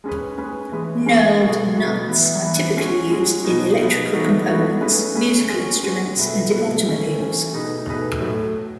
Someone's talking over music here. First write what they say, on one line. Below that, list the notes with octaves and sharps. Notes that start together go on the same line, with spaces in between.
Knurled nuts are typically used in electrical components, musical instruments and in automobiles.
G#3 C#4 G#4 B4
G#3 C#4 G#4 B4
E3 G#3 C#4 G#4 B4
E3 G#3 C#4 G#4 B4
B2 F#3 B3 F#4 A4
B2 F#3 B3 F#4 A4
E3 B3 E4
E3 B3 E4
G#3 C#4 F#4
G#3 C#4 F#4
B2 F#3 B3 D#4
B2 F#3 B3 D#4
E3 B3 D#4 F#4 A4
E3 B3 D#4 F#4 A4
A3 C#4 G#4 B4
A3 C#4 G#4 B4
G#3 C#4 F#4
G#3 C#4 F#4
B2 A3 E4 B4
B2 A3 E4 B4
E3 A3 C#4
E3 A3 C#4
B2 A3 D#4 G#4 B4
B2 A3 D#4 G#4 B4
A2 F#3 A3